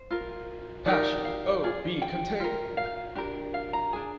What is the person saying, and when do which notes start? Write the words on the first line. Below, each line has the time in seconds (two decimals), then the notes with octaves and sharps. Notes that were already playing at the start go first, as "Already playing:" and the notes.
Passion, O, be contain'd!
Already playing: C5
0.11 F4 A#4
0.86 D#4 G4 A#4 D5
1.25 F5
1.64 F4 G#4
2.02 G5
2.40 F4 A#4
2.77 F5
3.15 D4 G4 A#4
3.54 F5
3.73 A#5
3.93 D4 G#4 G#5